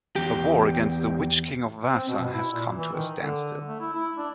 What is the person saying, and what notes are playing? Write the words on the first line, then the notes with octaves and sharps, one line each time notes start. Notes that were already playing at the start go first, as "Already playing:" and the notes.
A war against the Witch-King of Vaasa has come to a standstill.
E2 G4
C4
B2
B2
E4
A#2
E3
D#3
D3
A3
E4
E4
D4